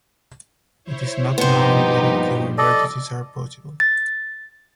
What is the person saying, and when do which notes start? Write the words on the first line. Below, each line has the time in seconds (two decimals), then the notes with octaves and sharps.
It is not known whether fewer vertices are possible.
0.84 E4 C5 C#5
1.38 G2 A#2 F3 B3 D#4 G4 C5
2.58 A4 D5 D#5
3.80 A6